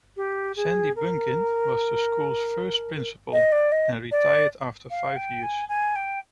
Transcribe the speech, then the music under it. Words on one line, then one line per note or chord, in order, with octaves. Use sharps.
Sandy Bunkin was the school's first principal, and retired after five years.
G4
G#4
A#4
D#5
D5
D#5
D5
F5
G5
G#5
G#5
G5